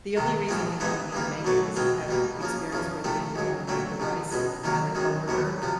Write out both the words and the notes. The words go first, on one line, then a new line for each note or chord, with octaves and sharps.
the only reason he wanted me to make it 'cause he had experience where they didn't know how to make the rice, another coworker,
C2 C3 D#3
A#1 G#2 F3 G#3 C4
G2 E3 G#3 B3 D#4
G2 E3 G3 A#3
B2 F#3 A3 D4
B2 G#3 C4 F4
B2 G3 A#3
C#3 F3 A#3
E2 C#3 F3
C3 F3 A3 C4
C#2 C#3 F#3
A#2 F#3 A3 C4
C2 C3 F3
C#2 B2 G#3
C2 C3 D#3 F#3 A#3
F#2 D#3 G#3
D#2 D3 F#3 B3
C3 F3